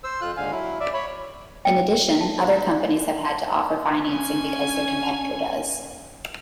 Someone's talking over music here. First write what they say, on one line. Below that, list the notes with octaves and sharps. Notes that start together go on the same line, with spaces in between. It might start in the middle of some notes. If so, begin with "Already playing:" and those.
In addition, other companies have had to offer financing because their competitor does.
C5 E6
F2 F4 F#6
D#2 G#2 D3 F5 G#5
F#3 E4
D5 E5
C#5 B5
G5
A5
C5
A#5
C#4 G#5